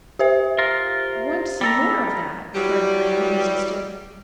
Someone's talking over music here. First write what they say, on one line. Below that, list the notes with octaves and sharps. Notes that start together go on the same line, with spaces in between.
"I want to see more of that," cried Graham, resisting.
G4 C5 E5
F4 A#4
G3 A4 A#5
E3 F#3 G3